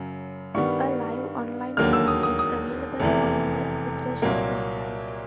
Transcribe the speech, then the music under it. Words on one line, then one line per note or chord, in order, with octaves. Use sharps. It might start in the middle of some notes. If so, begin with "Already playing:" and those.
A live online feed is available on the station's website.
Already playing: F#2 C#3 F#3
G2 D#3 G3 B3 C#6
E1 D#2 D3 F#3 A#3 F6
E6
D#6
D#6
D#6
F1 E2 C3 E3
C2 A#2 F#3 A#3